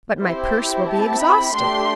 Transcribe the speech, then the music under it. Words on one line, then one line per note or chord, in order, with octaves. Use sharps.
"But my purse will be exhausted."
C4 E4 G4 C5
A5
B5
A3 D4 G4 C6